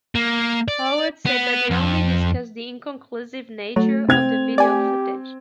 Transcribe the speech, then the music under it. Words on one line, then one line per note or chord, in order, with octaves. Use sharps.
Howard said that they only discussed the inconclusive nature of the video footage.
A#3
D5
B3
F2
F#3 A3
C3 C4 G#6 F7
G4 D5 G#5